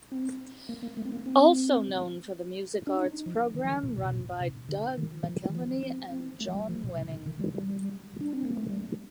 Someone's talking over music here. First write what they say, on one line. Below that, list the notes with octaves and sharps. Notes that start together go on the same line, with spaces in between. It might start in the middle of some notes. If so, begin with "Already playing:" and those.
Also known for the music arts program run by Doug McElhaney and John Wenning.
C4
A#3
A#3
A3
C4
A#3
C4
D4
D#4
F3
D#3
F3
D#3
A#2
A#2
C3
A#2
C3
D3
D#3
F3
D#3
F3
C4
C4
A3
F3
G3
F3
A#2
C3
D3
D#3
G3
G3
D4
C4
A#3
A3
G3